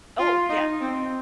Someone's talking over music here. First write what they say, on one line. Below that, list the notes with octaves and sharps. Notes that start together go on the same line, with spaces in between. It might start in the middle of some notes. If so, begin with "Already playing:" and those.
Oh, yeah.
F4
D#4
C4